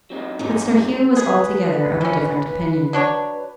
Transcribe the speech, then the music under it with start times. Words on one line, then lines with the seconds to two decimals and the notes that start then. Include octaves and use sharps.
But Sir Hugh was altogether of a different opinion.
0.10 F#3 C4 D#4
0.39 E2 G#2 G#3 C4 C#4 D#4
1.16 G#4 B4
2.01 E3 C#4
2.93 F#3 D4 C#5